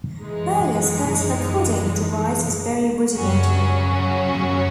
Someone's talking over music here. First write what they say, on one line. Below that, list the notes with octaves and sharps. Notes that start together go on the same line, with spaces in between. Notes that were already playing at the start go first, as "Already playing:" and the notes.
Berger's first recording device was very rudimentary.
F#2 E3 G#3 D#4
F#2 C#3 F#3 C#4 F#4